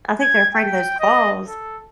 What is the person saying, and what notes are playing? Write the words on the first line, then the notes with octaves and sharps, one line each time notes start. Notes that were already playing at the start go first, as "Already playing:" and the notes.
I think they're afraid of those claws.
G#6
G5
D#5
A4